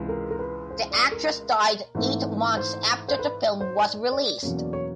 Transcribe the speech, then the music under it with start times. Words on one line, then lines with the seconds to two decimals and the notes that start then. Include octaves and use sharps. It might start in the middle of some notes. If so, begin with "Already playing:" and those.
The actress died eight months after the film was released.
Already playing: C#2 C3 E3 G#3
0.09 A#4
0.31 A#4
0.39 B4
0.70 C5
0.91 D5
1.11 A#4
1.95 G#2 E3 A3 C4
2.57 C5
3.08 C5
3.19 B4
3.61 C5
3.80 D5
4.12 D5
4.43 E2 B2 F#3 A#3 C#4 C#5
4.58 D5
4.73 C#5